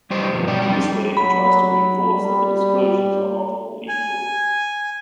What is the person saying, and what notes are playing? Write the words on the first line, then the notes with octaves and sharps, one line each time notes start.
In this way, he tries to reinforce that the disclosures are not all equal.
G3 G4 C5 D#5
G2 B2 D3 F3
B2 F#3 D5 G5
F2 G3 G5
F#3 B5
G3
G#5